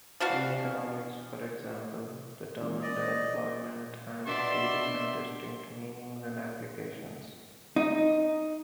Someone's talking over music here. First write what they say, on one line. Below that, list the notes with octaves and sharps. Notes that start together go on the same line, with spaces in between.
In economics, for example, the term underemployment has three different distinct meanings and applications.
E3 D4 F#4 F5
E3 G#3 C#4
D5 D#5
B2 D4 E5 C6
D#4